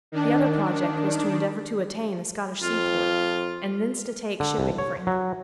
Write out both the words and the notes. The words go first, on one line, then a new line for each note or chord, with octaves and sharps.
The other project was to endeavour to attain a Scottish seaport, and thence to take shipping for England.
D#3 D4
F2 F4
D3
C2
C#5
F#3